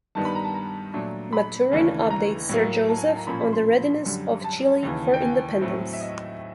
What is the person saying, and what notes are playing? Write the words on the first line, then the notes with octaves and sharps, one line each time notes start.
Maturin updates Sir Joseph on the readiness of Chile for independence.
G2 D#3 G3 B3 D4 A5
B5
A#5
A5
A#5
A#2 F#3 A3 D4
B5
D#2 C#3 E3 A3 D4
A#5
A2 F#3 A#3
A5
G#5
A5
A#5
A#2 F3 A#3 C#4 B5
B5
C6
F#2 D3 G3
A5
D#2 C#3 E3
G5
G#5
A2 F#3 A3 C4
E5
D#5